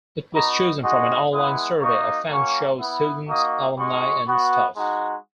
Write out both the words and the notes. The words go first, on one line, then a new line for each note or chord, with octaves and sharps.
It was chosen from an online survey of Fanshawe students, alumni and staff.
B3 D#4 F#4 A#5
G#3 D#4 F#4
G#3 B3 E4 D#6
A#3 D#4 F#4 C#6
A#3 C#4 F#4 C#6
B3 E4
A#3 D#4 F#4 D#6
G#3 D#4 F#4 C#6
B3 F#4
G#3 D#4 F#4